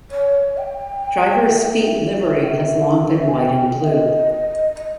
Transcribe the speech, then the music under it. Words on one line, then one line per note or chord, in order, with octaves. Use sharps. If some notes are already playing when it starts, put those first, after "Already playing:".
Driver's fleet livery has long been white and blue.
C#5
G5
E5
G5
E5
G5
E5
G#5
G5
E5
D#5
D#5